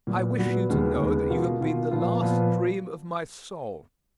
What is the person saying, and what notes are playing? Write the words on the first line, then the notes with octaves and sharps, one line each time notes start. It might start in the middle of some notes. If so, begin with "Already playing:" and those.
I wish you to know that you have been the last dream of my soul.
A#2 F#3 B3 F#4
A#2 F#3 B3 F#4
D#2 C#3 G#3 B3
D#2 C#3 G#3 B3
B2 A#3 F4
B2 A#3 F4
A#2 F3 B3 F4
A#2 F3 B3 F4